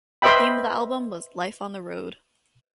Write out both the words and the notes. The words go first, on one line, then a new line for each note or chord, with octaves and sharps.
The theme of the album was life on the road.
B4 C5 D#5 E5 G5 B5